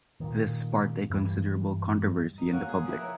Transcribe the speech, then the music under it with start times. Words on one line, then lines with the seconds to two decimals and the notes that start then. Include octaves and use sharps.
This sparked a considerable controversy in the public.
0.20 A#2 D#3
1.10 G2 E3 G3
2.38 D#4
2.52 A#3 C#4 F#4 F5
2.69 G#4
2.86 F3 D4 E4 B4
2.99 A#4 C#5